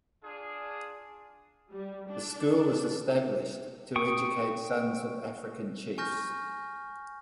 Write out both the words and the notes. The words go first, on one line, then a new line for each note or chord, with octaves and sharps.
The school was established to educate sons of African Chiefs.
D4 F4 G#4
G3
D4
G5 C#6 D#6
G#5 C#6 F6 G6 A#6